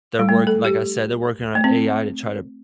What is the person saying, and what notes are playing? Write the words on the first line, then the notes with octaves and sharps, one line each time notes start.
their work like I said, they're working on AI to try to
G3
A3
A4
G4
A3
C4